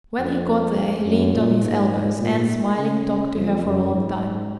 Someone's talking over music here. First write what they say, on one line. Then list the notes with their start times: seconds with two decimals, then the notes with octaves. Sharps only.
When he got there he leaned on his elbows and, smiling, talked to her for a long time.
0.19 F2
1.06 F#2
1.34 A#2
1.62 G#2
2.20 A#2
2.77 C#3
3.34 F2
3.63 F#2
3.92 G#2